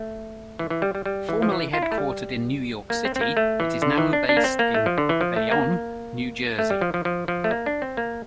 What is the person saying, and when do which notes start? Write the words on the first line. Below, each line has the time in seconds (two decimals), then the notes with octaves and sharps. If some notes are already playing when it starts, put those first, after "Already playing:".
Formerly headquartered in New York City, it is now based in Bayonne, New Jersey.
Already playing: A3
0.59 E3
0.70 E3
0.82 G3
0.95 G3
1.06 G3
1.29 E3
1.42 F3
1.52 E3
1.74 F4
1.82 E4
1.92 A3
1.98 G3
2.90 A#3
3.05 C4
3.16 C4
3.21 A#3
3.37 A3
3.60 E3
3.82 D3
3.98 E3
4.13 D4
4.29 D4
4.37 A#3
4.44 C4
4.59 A#3
4.74 A3
4.86 F3
4.98 D3
5.09 E3
5.21 F3
5.36 A3
5.52 A#3
6.59 A3
6.70 G3
6.81 F3
6.94 F3
7.05 F3
7.28 F3
7.44 A3
7.51 A#3
7.66 D4
7.82 C4
7.97 A#3